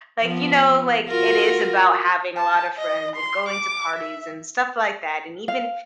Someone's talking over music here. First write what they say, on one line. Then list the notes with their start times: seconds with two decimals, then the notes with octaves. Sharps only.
like, you know, like, it is about having a lot of friends, and going to parties, and stuff like that, and even ea
0.23 F3 B3
1.09 F4 F#4 A#4
2.36 A5
2.78 D#5
3.16 C6
3.49 D6
3.97 E5
5.48 F5